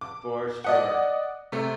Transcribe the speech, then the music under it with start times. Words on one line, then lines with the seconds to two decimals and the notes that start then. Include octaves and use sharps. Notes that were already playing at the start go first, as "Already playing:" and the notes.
For sure.
0.01 D6
0.64 D5 D#5 F#5
1.52 C3 A3